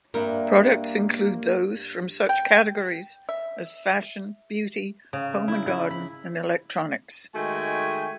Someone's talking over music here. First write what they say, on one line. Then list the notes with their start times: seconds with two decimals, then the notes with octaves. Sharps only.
Products include those from such categories as fashion, beauty, home and garden, and electronics.
0.14 G2 A#3 E4 A#4
2.29 G5
3.29 E5
5.13 C#3
5.48 E4
5.67 E4
5.91 B5
7.35 D#3 G#3 A3 F#4 G5 G#5